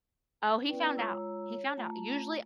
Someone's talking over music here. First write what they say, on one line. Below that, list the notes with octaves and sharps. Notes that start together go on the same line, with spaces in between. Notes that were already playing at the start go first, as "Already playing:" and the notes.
oh, he found out, he found out. Usually uh,
B3 C#4 E4 B4 D5 G5
G#3 F4 C#5 A#5 E6
C#5
A3 F4 A5 A#5